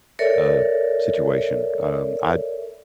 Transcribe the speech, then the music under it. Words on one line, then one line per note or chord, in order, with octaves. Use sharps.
uh, situation. Um, I
A4 A#4 C#5 D5 E5